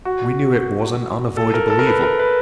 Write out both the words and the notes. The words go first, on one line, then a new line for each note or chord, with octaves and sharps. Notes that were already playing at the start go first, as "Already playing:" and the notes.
We knew it was an unavoidable evil.
F#4
A4
A#4
A4
A#4
B4
A#4
B4